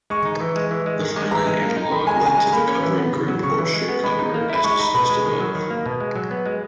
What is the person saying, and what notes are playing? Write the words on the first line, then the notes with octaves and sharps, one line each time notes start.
The finite analog led to the covering group or Schur cover, as discussed above.
G#3 C#6
D#4
E3
G#3
E3
G#3
D#3
G#3
E3 A#5
G#3
A#3
D#4
D#3 B5
G#3 G#5
A#5
C#3 G#5
G#3
A#3 B5
C#4
E3
B3
C#3
F#3
C#3 C#6
E3
G#3
B3
G#3 B5
D#4
A#3
E4 B5
G#3 C#6
D#4 B5
B2 B5
G#3
D#3
F#3
D#3
A#3
B2
G#3
F#3
B3
G#3